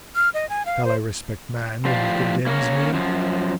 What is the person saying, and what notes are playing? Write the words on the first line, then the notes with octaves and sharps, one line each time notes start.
Shall I respect man when he condemns me?
F6
D#5
G#5
F5
C5
A2 F3 F4 G4 D5 F5
A#3 C#4 E4 A#4 C#5
F#2 F3